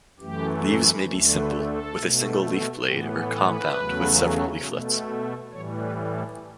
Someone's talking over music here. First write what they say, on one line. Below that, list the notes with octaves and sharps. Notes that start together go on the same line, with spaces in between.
Leaves may be simple, with a single leaf blade, or compound, with several leaflets.
F#2 E3 A3 G4
D2 D3 A3 A4
B4
A4
B2 A3
A2 E3 B3 G4
A4
B4
E2 C#3 F#3 A3
B2 A3
A2 E3 G3 C#5
B4
A4